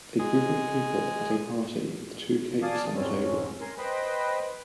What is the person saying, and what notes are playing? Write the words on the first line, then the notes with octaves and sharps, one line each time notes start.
A group of people at a party with two cakes on the table.
G#3 G#4
D5 F5 G#5 A5 D#6
F2 G#2 G#3 C4 C#4
A#4 G#5 C6
B4 C5 D#5 G5 B5